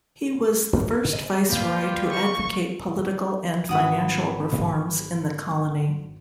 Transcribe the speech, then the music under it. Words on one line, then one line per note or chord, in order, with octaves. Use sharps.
He was the first viceroy to advocate political and financial reforms in the colony.
G#4 C5 D#5
F3 A#3 F4 B4 D5 G5
E2 F3 C#6
G#1 B4 F#5 D#6